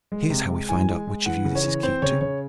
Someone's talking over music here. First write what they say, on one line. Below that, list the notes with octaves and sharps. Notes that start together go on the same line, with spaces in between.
"Here's how we find out which of you this is keyed to."
G#3
C3
G#3
E3 G#5
G#3
G#3
E3 F#5
C#3
C#5
E3
C4 C5
C#3 C#5
C#3 C#5